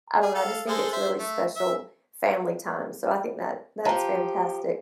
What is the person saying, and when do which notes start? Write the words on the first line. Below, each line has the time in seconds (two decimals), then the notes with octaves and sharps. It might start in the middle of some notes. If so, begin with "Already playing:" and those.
I don't know, I just think it's really special family time, so I think that that's fantastic
0.22 G#4
0.35 A4 F5
0.68 G#3 A4 C5
0.93 C5 E5
1.19 A3
1.56 E5
3.85 F3 G4 C5 A5 A#5